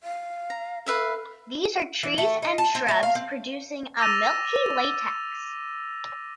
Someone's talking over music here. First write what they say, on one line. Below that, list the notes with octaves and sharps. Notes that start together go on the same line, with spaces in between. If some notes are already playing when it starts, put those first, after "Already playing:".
These are trees and shrubs producing a milky latex.
F5
A#5
A4 B4 E5 F5
E3
A3
D#4
A5
C4
A3
F5
C4
D6 E6 A6 A#6 D#7 F7